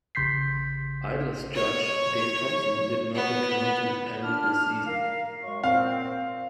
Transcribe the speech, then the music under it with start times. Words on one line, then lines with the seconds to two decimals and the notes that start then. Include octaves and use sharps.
Idols judge Dave Thompson did not return to the panel this season.
0.15 A1 C#3 C6 G6 B6 C7
1.55 C#5
3.15 B3
4.23 D4 F6
4.87 A#4 F5
5.43 F#2 G#3 C#6
5.63 A#2 C4 F5